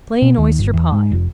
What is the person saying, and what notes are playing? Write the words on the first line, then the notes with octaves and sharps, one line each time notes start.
Plain Oyster Pie.
B2
D#2
G1
E2
G#2
F1